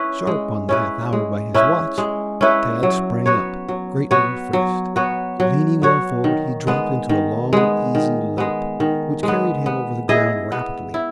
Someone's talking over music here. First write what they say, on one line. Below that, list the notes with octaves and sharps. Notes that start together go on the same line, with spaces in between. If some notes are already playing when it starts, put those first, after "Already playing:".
Sharp on the half hour by his watch, Tad sprang up, greatly refreshed. Leaning well forward he dropped into a long, easy lope, which carried him over the ground rapidly.
Already playing: C#4 E4 B4
G#3
C#4 E4 B4
G#3
C#4 E4 B4
G#3
C#4 E4 B4
F#3
B3 F#4 C#5
F#3
B3 F#4 C#5
F#3
B3 F#4 C#5
F#3
B3 F#4 C#5
D#3
G#3 B3
D#3
G#3 B3
D#3
G#3 B3
D#3
G#3
B3
B3
E4 G#4 D#5
B3
E4